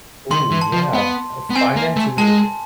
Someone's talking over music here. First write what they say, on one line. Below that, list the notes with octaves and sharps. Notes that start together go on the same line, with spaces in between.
Ooh, yeah. Uh, finance is is a
D#3 C6
E3
A5
F3
B3
B3
C4 G#5
A#3
A3
G#3 A5